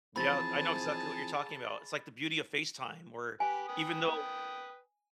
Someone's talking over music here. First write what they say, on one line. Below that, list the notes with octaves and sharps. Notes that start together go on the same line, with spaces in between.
Yeah, I know exactly what you're talking about. It's like the beauty of FaceTime, where even though
E3 F3 C4 G#4 A5 B5 A6
G4 B4 G#5
B4 G5 D#6